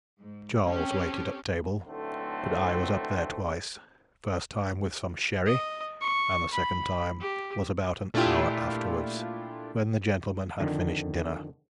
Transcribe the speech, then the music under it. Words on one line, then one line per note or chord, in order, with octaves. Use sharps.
Charles waited at table, but I was up there twice--first time with some sherry, and the second time was about an hour afterwards, when the gentlemen had finished dinner.
G#2
C4 C#4 G4 A4
B1 A2 D3 A3 C4 C5
D#5
C#6
B5
G4
A#2 A3 D4 E4 F4 G4
F2 D3 D#3